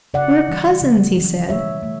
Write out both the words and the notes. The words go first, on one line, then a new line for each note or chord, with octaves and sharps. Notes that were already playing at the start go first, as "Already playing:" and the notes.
"We're cousins!" he said.
C#3 D5 F#5
E3 G3
C#3
E3 G3
B2 C#5 E5
A3